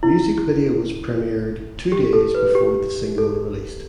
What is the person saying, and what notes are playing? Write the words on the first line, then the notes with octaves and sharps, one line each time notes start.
Music video was premiered two days before the single released.
E4
G4
A4
B4
G4
A4